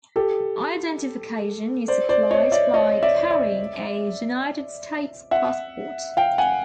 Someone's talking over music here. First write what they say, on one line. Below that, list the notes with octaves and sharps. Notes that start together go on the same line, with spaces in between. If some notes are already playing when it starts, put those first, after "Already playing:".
Identification is supplied by carrying a United States passport.
G4 A4
C5 D5
C5 D5
C#5 D#5
D5 E5
C#5 D#5
D5 E5
D5 E5
E5 F#5
F5 G5
F#5 G#5